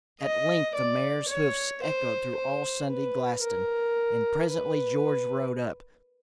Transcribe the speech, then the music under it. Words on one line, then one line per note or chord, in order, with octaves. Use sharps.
At length the mare's hoofs echoed through all Sunday Glaston, and presently George rode up.
D#5
D5
C#5
C5
C5
B4
A#4
B4